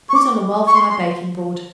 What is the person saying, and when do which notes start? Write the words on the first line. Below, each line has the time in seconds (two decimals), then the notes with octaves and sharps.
Put on a well-floured baking-board.
0.09 C#6
0.15 D6
0.67 C#6
0.75 C6
0.90 C6